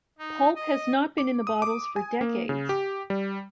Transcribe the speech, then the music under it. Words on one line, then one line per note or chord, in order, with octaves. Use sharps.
Pulp has not been in the bottles for decades.
D#4
D#5
D6
D#6
D6
G#5
A#3
C#3
G4
G3